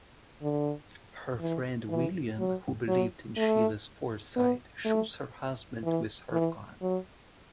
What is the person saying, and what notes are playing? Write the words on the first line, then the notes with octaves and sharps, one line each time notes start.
Her friend William, who believed in Sheila's foresight, shoots her husband with her gun.
D3
E3
E3
F#3
F#3
A3
B3
A3
E3
E3
F#3